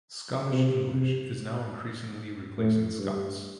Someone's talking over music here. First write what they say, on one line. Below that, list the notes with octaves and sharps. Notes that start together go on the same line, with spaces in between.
Scottish English is now increasingly replacing Scots.
C3
C3
A2
G2